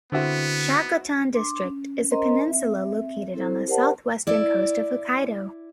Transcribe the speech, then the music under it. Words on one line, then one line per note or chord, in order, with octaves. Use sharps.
Shakotan District is a peninsula located on the southwestern coast of Hokkaido.
D3 B3 C4 E4 F#4
D4 C6 D6
C#4
C#4 A#4 C5 D#5 A#5 C6
C4 E5
C4 E4 A4 C5
G4 A#4 C5 D5 F#5 A5
E4 D5